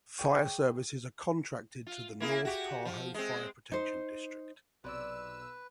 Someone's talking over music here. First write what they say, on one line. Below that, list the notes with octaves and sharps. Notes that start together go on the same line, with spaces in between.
Fire services are contracted to the North Tahoe Fire Protection District.
G#4 D5 G5 C#6
F4
A#3 E4 G#4
F#4 G4
F3
G#3 C4
D#4 C5
B1 C3 B4 D5 E6